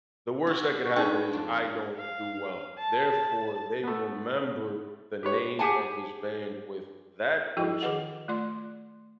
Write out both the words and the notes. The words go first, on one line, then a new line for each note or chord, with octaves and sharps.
The worst that could happen is I don't do well. Therefore, they remember the name of this band with that person,
B3 F#4
D4 D#4 G#4 B4 G5
F2 D4 F4
F5
A5
A3 B3
G4 B4 C#5
G4 G#4 F#5 G#5 A5
F3 E4 F#4 A4 D#5 G5
D#3 G#4 B4 D#5 F#5
A3 F4 D5 C6